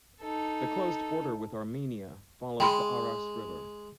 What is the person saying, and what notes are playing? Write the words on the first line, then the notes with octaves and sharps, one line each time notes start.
The closed border with Armenia follows the Aras River.
D#4 A4
G#3 G5 B5 C6